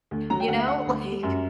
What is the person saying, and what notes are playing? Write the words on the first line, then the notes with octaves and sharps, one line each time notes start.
You know, like
D2
F#3 A#5
G5
D2 F#5
E5
D3 F#5
D2
G3
F#2